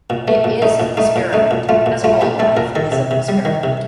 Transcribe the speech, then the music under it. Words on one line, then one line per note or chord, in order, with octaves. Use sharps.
It is an experiment, as all life is an experiment.
A#2
A3
A#2
A3 D#4
A#2
A3 D#4
A#2
A3 D#4
A#2
A3 F4
A#2
A3 F4
A#2 G4
A3 A4
A#2 A#4
D#3 A4
C3
C3
G3
D#3
C3